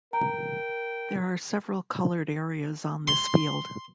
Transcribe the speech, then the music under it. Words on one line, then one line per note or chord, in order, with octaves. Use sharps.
There are several colored areas on this field.
A#4 G5 A#5
C6